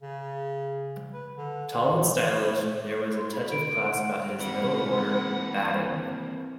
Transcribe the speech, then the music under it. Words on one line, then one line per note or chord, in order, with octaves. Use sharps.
Tall and stylish, there was a touch of class about his middle-order batting.
C#3
B4
D3
F#4
A3
C6
B5
D7
F#5
E3 A#3 C4 B4 F#5